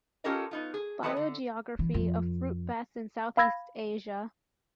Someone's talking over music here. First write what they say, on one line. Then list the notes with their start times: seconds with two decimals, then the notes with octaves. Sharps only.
Biogeography of fruit bats in Southeast Asia.
0.24 C#4 F4 G4 A4 A#4 D#5
0.51 B3 D#4 F4
0.74 G#4
1.03 E3 F#3 B3 A4 B4 D#5
1.16 D3
1.79 E3
1.94 F2
3.37 F5 B5 E6 G#6 A#6